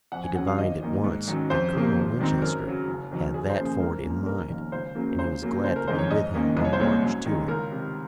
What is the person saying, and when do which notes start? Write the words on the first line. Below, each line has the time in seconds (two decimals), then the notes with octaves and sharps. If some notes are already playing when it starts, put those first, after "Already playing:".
He divined at once that Colonel Winchester had that ford in mind, and he was glad to be with him on the march to it.
0.12 F2 F#5
0.23 G#5
0.35 C#3 F#3 C#4 F#5
0.47 F5
0.58 G#1 D#5
0.81 F#2 D#3 A#3
1.04 G#2
1.27 D#3 F#3 C#4
1.50 F2 C5
1.73 C3 F3 A#3
1.96 G#1
2.19 G#2 D#3 F#3 C4
2.42 F#2 A#4
2.66 C#3 F#3
2.88 F#1
3.11 F2 D#3 F#3
3.34 F#2 G#4
3.50 C5
3.57 C#3 F3 A#3 C#4
3.65 G#4
3.80 G#2 A#4
4.03 F3 A#3 C#4
4.26 F1 A#4
4.49 D#2 D#3
4.72 C#2 C5
4.95 C#3 F#3 A#3 C#4
5.18 C#2 C5
5.42 C#3 F#3 A#3 C#4
5.64 F#1 C5
5.76 A#4
5.87 F2 D#3 G#3 C5
5.98 C#5
6.10 G#2 D#5
6.34 D#3 A#3 C#4
6.57 C2 D#5
6.64 C#5
6.73 C5
6.80 A#2 G#3 C4 C#5
7.02 F#2
7.26 D#3 G#3
7.48 C#2 A#4
7.72 C3 D#3